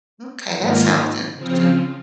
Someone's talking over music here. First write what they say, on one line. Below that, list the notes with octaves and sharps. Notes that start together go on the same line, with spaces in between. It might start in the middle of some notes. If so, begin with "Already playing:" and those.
Okay, that sounds interesting.
G#2 D#3 A#3 F4
C#3 F3 C4 F4